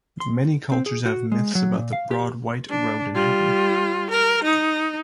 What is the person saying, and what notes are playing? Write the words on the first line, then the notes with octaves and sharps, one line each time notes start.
Many cultures have myths about the broad white road in heaven.
C6
C4
G#4
F#4
G#3
F#3
A#2
F5
G4
D4
G3 F4
A#4
D#4